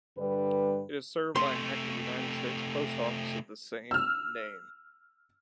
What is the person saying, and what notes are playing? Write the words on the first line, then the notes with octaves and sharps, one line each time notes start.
It is served by an active United States post office of the same name.
G2 D3 G3 B4
C3 A3 C6
E6 F6